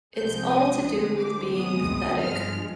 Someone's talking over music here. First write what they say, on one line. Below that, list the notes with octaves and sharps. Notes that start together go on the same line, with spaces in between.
It's all to do with being pathetic.
C2 C3 F3 G#3 C4 G6
D#6
D2 D3 G#3 C4 D#6
D6
D2 C3 D#3 G#3 B3 D#6
G2 F3 G#3 F6